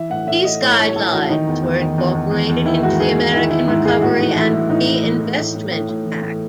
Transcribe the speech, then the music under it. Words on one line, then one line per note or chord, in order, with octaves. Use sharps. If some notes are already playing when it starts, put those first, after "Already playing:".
These guidelines were incorporated into the American Recovery and Reinvestment Act.
Already playing: E3 E5
A2 F#5
A2 E5
A2 D#5
A2 C#5
A2 C#5
A2 A4
E3 F#4
D#3 D#4
E2
E2
D#3
E2
E2
E2
E2
D#3 E4
G#2 F#4
D#3 G#4
D#3
D#3 E4
D#3 E4
G#2 E4
G#2 G#4
A2 F#4
E3 D#4
E3 E4
E3 E4
A2 D#4
E3
E3
E3
A2
A2
A2
A2
E3
A2